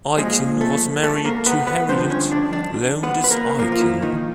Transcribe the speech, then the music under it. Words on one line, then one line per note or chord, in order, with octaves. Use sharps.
Aiken was married to Harriet Lowndes Aiken.
A#2 F3 G#3 G#4
A3 A4
A3 A4
A#3 A#4
B3 B4
B3 B4
G2 D3 F3 C4 C5
C#4 C#5
D4 D5
D4 D5
B3 B4
B4
A#3 A#4
A#2 F3 A#3 A#4
F4
E3 E4
D#3 D#4